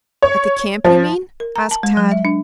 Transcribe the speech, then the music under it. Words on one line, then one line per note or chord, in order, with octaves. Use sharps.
"At the camp, you mean?" asked Tad.
C#5
F3
A#4
A#5
A5
G#3
F#3
E5
D4